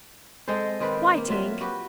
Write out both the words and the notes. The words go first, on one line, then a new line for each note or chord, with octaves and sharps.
"Why, Tink?"
G#3 C4 A4 C5
D#3 C4 B4
A#3
F#3 F4 E5
F#4 G4 B4